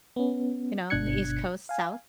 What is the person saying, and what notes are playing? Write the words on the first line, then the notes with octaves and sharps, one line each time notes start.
You know, in the East Coast, south,
B3 C#4
G1 B2 D4 F#6 G#6 C#7
F5 G#5